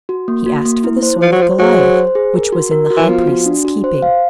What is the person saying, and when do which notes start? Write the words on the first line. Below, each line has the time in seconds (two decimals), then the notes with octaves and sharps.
He asked for the sword of Goliath, which was in the High Priest's keeping.
0.09 F#4
0.28 A#3
0.46 F#4
0.65 A#3
0.84 E4
1.03 C5
1.21 F3 C5
1.32 F#3
1.41 F3 C5
1.59 F#3 G#4
1.78 C5
1.96 C5
2.15 G#4
2.34 A#4
2.52 F#4
2.71 A#4
2.90 F#4
2.97 E3
3.09 F3 B3
3.27 F#4
3.46 D4
3.65 F#4
3.84 C5
4.02 F5